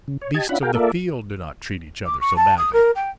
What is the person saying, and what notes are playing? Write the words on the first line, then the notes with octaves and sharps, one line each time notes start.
The beasts of the field do not treat each other so badly.
C#3
C#5
G4 D#5 A5 G#6
C#4 D4 F4 E5 F#5 B5
F#4 G#4 A#4 F5 G5
A#3 F4 A4 A#4 D5 E5
D6
C#6
A5
D#6
A#4
G5